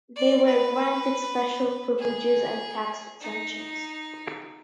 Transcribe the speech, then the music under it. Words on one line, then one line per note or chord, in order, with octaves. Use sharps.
They were granted special privileges and tax exemptions.
D5
B4
G#4
D#4